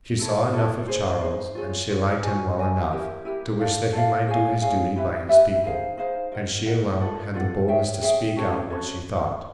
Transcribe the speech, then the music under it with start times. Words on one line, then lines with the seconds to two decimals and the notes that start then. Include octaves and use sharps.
She saw enough of Charles, and she liked him well enough, to wish that he might do his duty by his people; and she alone had the boldness to speak out what she thought.
0.19 E4 A4 C#5
0.53 E4 A4 C#5
0.88 D#4 G#4 C5
1.21 D#4 G#4 C5
1.55 F4 G#4 C#5
1.90 F4 G#4 C#5
2.23 F#4 A#4 D#5 G#5
2.57 F#4 A#4 D#5 G#5
2.91 E4 G4 A#4
3.25 E4 G4 A#4
3.59 A4 D5 F5
3.93 A4 D5 F5
4.27 G#4 C#5 F5 G#5
4.61 G#4 C#5 F5 G#5
4.96 E4 G4 B4 E5
5.29 E4 G4 B4 E5
5.64 D#4 G#4 C5 F5
5.97 D#4 G#4 C5 F5
6.32 A#4 D#5 F#5
6.66 A#4 D#5 F#5
7.00 F4 A4 D5 F#5
7.34 F4 A4 D5 F#5
7.68 G#4 C#5 E5 G5
8.02 G#4 C#5 E5 G5
8.36 C#4 F#4 A4 C#5
8.70 C#4 F#4 A4 C#5